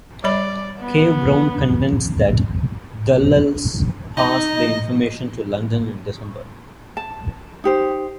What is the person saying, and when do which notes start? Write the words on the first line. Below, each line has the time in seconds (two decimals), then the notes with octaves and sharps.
Cave Brown contends that Dulles passed the information to London in December.
0.24 G3 C#5 D5 B5
0.79 B3
4.17 D#4 D#5
6.97 A5
7.64 D#4 G4 C5